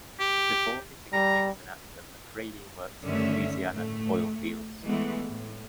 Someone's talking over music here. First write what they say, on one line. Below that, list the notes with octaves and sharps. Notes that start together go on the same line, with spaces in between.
Before hitting it big as an actor, McRaney worked in the Louisiana oil fields.
G4
G3 A#5
G2 D3 D#3 A3 C#4 E5
A2 A3
E3 G#3 A3 B3
A2